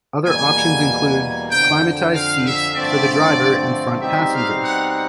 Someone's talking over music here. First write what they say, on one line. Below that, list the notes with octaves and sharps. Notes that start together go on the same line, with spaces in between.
Other options include climatised seats for the driver and front passenger.
E2 B2 G3 A#3 G#5
F2 D3 F3 G5
F5
E5
G2 D3 F3 A3 C4 D5
B2 G3 C4 D#4 G4 E5
F5
F#5